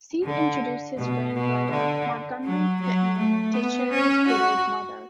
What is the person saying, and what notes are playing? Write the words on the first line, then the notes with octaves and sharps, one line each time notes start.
Steve introduced his friend, writer Montgomery Pittman, to Sherry's widowed mother.
D3
B2
B2
D3
F#3
F#3
A3
B3
C#4
F#4